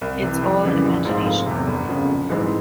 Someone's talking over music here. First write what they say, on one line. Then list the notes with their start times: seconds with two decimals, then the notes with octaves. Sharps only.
It’s all imagination.
0.01 C2
0.22 C3 E3
0.43 F2
0.64 C#3 E3 G3
0.85 A#1
1.05 G#2 F3 C4 F4
1.26 F1
1.46 E2 C3
1.67 G1
1.88 F2 C#3 F3
2.09 A#1
2.29 G#2 E3 G#3 C4